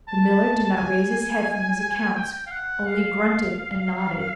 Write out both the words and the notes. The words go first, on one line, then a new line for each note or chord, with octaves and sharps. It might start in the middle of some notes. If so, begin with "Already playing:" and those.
The miller did not raise his head from his accounts; only grunted and nodded.
A5
G#5
G5
F5
F#5
F5